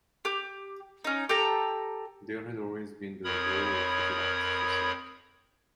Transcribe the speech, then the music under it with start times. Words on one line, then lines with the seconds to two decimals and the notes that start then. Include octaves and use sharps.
"There had always been the row of footlights," she said.
0.25 G4 D6 G6
1.04 C#4 D#4
1.29 G4 A4 G5 A#5
3.24 F2 A#4 C#5 B5 D#6